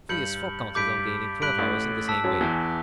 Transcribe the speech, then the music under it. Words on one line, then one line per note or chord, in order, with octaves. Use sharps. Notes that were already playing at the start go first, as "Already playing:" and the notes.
Phileas Fogg counted on gaining twelve hours in the same way.
G2 G6 C#7 F#7
G2 D6 G6 B6 D7
G2 F#6 B6 D7 F#7
A1 A2
A5 E6 B6
F#2 F#3
E2 E3